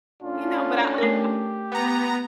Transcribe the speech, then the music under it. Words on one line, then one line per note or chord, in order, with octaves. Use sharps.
You know, but I I'm
A2 C#4 D4 F4
A3 G4 A#4
B3 A#5